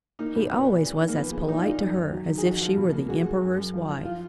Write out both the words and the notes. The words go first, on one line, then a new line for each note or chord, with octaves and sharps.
He always was as polite to her as if she were the emperor's wife.
A#3 D#4
B2
A#2 B3
A#2
G#2
D#3
A#3
F3 B3
G#3
A#2 D#4
F4
A#2 D#4
F#2
D#3
F#3
D#3
G#4
F2 F#4
F3
B2
A#3
G#3 F#4
G#3
F#2
F#2
F3
F3
F4